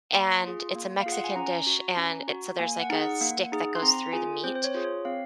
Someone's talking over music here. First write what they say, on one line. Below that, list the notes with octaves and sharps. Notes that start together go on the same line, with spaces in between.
and it's a Mexican dish, and it so there's, like, a stick that goes through the meat,
A#3 C6
F4 G#4
A#3
F5
F4 G#4
F#5
G#5
C#4 A#5
F#4
C#4
F#4
A#3 G#5
F#5
D#4 G#4
F#5
A#3
D#4 G#4
C6
C4 A#5
F4 G#4 G#5
C4 C5
C5
C#5
F4 G#4
C#5
C4 F5